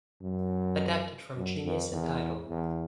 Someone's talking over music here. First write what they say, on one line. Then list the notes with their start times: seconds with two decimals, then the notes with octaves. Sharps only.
Adapted from Genius and Tidal.
0.22 F#2
1.36 F#2
1.64 F2
1.92 E2
2.49 E2